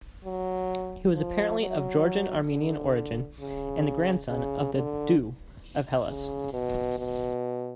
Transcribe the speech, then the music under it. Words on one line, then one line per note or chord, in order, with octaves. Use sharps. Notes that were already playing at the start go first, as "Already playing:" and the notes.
He was apparently of Georgian-Armenian origin and the grandson of the "doux" of Hellas.
F#3
F3
F#3
D3
C#3
C#3
D3
C#3
B2
B2